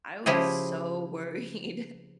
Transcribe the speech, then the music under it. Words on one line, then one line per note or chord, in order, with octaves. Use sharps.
I was so worried,
C#3 F3 E4 G4 G#4